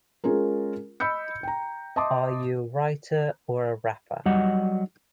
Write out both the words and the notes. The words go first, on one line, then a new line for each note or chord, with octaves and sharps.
Are you a writer or a wrapper?
G#3 C#4 F4 G#4 A#4
D#5 B5 E6 G6 C#7
G5 A#5
D#5 E5 A5 C6 D6 D#6
F#3 G3 D#5 F#5